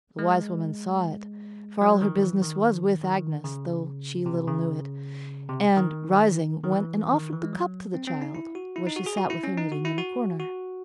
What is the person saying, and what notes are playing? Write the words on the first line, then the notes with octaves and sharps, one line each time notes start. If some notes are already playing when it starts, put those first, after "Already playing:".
The wise woman saw it, for all her business was with Agnes though she little knew it, and, rising, went and offered the cup to the child, where she sat with her knitting in a corner.
G#3
F#3
D#3
E3
D#3
D#3
C#3
C3
C#3
C3
D#3
D#3
E3
D#3
E3
G#3
F#3
C4
C4
D#4
E4
F#4
E4
D#4
F#4
G#4
F#4
E4
C#4
D#4
F#4
E4
F#4
F#4